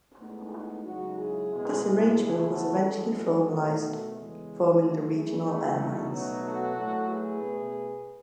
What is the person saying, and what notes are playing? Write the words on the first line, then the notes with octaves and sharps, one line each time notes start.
This arrangement was eventually formalized, forming the regional airlines.
A2 G#3 B3 D#4
F#2 C#3 G#3 D#4 F#4
E4 G#4
B2 G#3
E4 G#4
E2 C#3 E3 A3
F#4 A4
F#2 E3 G#3 F#4 A4
B2 A3
E2 C#3 G#3
F#2 E3 A3 F#4 A4
E4 G#4
E2 B2 A3
D#4 F#4
B2 F#3 A3
F#4 A4
A2 F#3 A3
G#4 B4
B2 A3